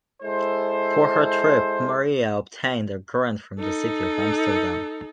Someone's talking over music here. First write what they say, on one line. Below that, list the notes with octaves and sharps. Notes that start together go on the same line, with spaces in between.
For her trip, Maria obtained a grant from the city of Amsterdam.
G#3 E4 A4 C5
D#4 A4